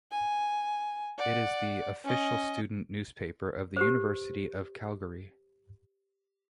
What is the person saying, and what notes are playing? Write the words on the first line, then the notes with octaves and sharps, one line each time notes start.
It is the official student newspaper of the University of Calgary.
G#5
D5 F#5
C#4 D#5
G4 B4 C5